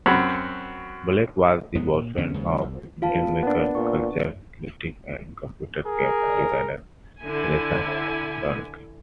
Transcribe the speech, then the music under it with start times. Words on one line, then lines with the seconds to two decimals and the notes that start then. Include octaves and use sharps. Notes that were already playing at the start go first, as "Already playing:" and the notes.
Blake was the boyfriend of filmmaker, cultural critic and computer game designer Theresa Duncan.
0.06 F#2 C4 F#4 B5
1.74 D#1 F2 G#3 B3
1.93 A#2
2.17 D#2 D3 B3 C#4
2.34 D#2 C#3 G#3
2.61 C2
3.02 F4 F5 A5
3.43 A#2 B3 D4
3.75 A#2 C#6
5.86 G#4 A#4
7.20 D3 E4 G#5